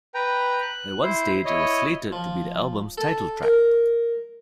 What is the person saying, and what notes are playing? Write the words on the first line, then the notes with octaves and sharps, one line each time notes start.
At one stage it was slated to be the album's title track.
B4 G5 A#5
F#6
E4 C5
E4 C#5 D#5
F3
A4
A#4